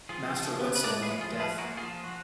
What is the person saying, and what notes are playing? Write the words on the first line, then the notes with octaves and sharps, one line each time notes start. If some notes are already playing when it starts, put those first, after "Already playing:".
Master Wetzel went deaf.
F3 F4 G#4
F3
B3
B4
G#3 A#4 D5
G#4 B4
F3
F4 G#4
F3
G#4 B4
A#3 F#4 A#4
F4 G#4
F3
F3 F#4